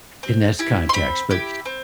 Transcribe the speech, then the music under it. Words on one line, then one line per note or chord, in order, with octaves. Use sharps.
in this context, but
C4
E4 G4
C6
C4 B5
E4 G4
C4